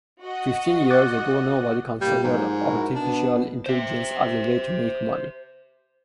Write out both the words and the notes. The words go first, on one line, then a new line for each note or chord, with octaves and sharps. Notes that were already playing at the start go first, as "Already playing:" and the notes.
Fifteen years ago, nobody considered artificial intelligence as a way to make money.
F#4 D#5
D6 F#6 A6
A2 C3 G3 A#3
G#2 F3 F#3 A#3
E4 F#4 A#4
B2 B3 D4
C5 E5